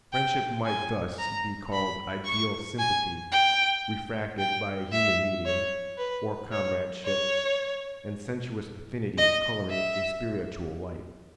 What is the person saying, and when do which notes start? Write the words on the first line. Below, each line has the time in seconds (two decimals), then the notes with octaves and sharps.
Friendship might thus be called ideal sympathy refracted by a human medium, or comradeship and sensuous affinity colouring a spiritual light.
0.13 G5
0.65 G#5
1.19 A#5
1.72 B5
2.25 C#6
2.78 G#5
3.32 G5
4.38 G5
4.92 E5
5.45 C#5
5.97 B4
6.51 C#5
7.05 C#5
9.18 D#5
9.70 E5